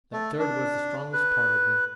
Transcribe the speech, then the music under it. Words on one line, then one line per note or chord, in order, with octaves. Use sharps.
That third was the strongest part of me.
A3
D4
B4